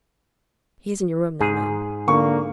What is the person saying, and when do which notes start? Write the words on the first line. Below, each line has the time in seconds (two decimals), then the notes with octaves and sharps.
He is in your room now, ma'am.'
1.41 G#2 G#4
2.08 D3 A#3 C#6